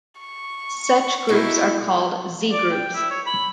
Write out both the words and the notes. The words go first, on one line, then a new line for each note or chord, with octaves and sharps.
Such groups are called Z-groups.
C#6
B2 G3 D#4 E4
D5
G5
E4
C#5
B5